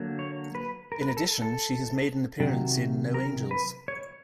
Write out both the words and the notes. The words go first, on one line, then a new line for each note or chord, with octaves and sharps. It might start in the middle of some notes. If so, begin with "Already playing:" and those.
In addition, she has made an appearance in "No Angels".
Already playing: D3 F#3 A#3
C#5
B4
A#4
B4
A#4
A4
A4
C3 D#3 F#3
A#4
B4
C#5